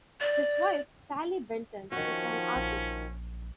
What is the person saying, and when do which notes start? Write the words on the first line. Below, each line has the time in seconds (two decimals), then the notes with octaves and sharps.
His wife, Sallie Benton, is an artist.
0.21 D5
1.92 D#3 F3 C#4 F#4
2.56 A#1